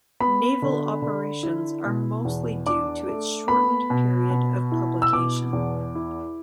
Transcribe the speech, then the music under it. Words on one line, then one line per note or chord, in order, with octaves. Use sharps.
Naval Operations are mostly due to its shortened period of publication.
B3 B5
D3
D3
E4
B2
E2
D4 D6
A3
B3 B5
B2
B2
E4
E6
B2 D6
E2
E4